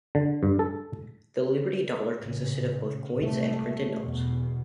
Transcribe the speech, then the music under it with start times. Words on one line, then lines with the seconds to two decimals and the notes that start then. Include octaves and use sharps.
The Liberty Dollar consisted of both coins and printed notes.
0.15 D3
0.43 G2
0.59 A4
2.19 A1 A#2 C#3
3.18 C2 A3
4.02 E2 B2